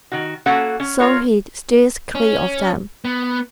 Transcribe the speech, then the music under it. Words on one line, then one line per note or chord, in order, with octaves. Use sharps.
So he steers clear of them.
D#3 F#4
A#3 C#4 F#4 A4 F#5
C#4
F4 A#4 C#5
C#4
B3